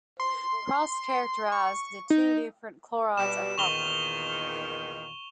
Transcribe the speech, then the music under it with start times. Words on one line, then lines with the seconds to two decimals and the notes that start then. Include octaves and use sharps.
Proust characterized the two different chlorides of copper.
0.20 C6
1.52 C#6
2.10 D#4
3.17 B2 G3 E7
3.58 E2 A#2 D#3 C#6 F7 G7